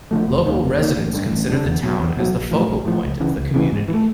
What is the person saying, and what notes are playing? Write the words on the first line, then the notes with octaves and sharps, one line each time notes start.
Local residents consider the town as the focal point of the community.
D3 F3 A3
F1
D#2 D#3
F1
D#2 D#3
A1
G2 D3
A1
G2
D3
E2
B2 F#3
E2
B2 F#3
A#1
A2 F3
A#1
A2 F3
C#2
C#3 E3
C#2
C#3 E3
G#2
E3
A3